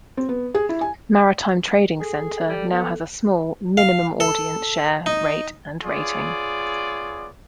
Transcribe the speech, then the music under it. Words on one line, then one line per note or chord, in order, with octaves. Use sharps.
Maritime Trading Center now has a small, minimal audience share, rate, and rating.
C4
B3
G#4
E4
G#5
G#4 A4
G3
B3
F5
A4
D#4
B3 F4 G#4 C#5 D5